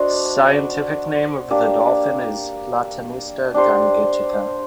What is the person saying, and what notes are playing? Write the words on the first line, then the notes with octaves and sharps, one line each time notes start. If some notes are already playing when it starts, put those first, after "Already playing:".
Scientific name of the dolphin is Platanista Gangetica.
Already playing: D4 F#4 C5 D#5
A#3 D4 G4
D4 G4 C5